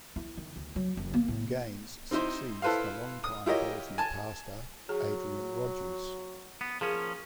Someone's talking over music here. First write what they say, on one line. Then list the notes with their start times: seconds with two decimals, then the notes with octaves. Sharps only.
Gaines succeeds the longtime Bellevue pastor Adrian Rogers.
0.16 E4
0.37 D#3
0.56 D2
0.76 F#3
0.97 F#1
1.14 A#3
1.28 A2
2.11 C4 D#4 E4 C5
2.62 E4 A4 B4 C5 F5
3.24 D#6
3.46 E4 F4 G4 A#4 C#5 D#5
3.98 G#5 A5
4.89 F#3 G#4
6.61 B3
6.81 F3 A#3 C#4 G#4